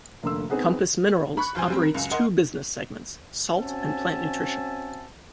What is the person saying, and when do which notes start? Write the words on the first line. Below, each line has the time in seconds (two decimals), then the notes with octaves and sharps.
Compass Minerals operates two business segments, Salt and Plant Nutrition.
0.23 F1 D3 A#3 C6 E6
0.50 B3 C4 D#4 G#4 B4 F#5
1.37 B5 C#6 F#6
1.55 F1 F3 C5 G#5
1.70 G3 C4
1.82 A#4
1.94 C#2 F#2
2.11 A#4 D#5 F#5 C6
3.59 C4 C#4 F#4 E5 G#5 A5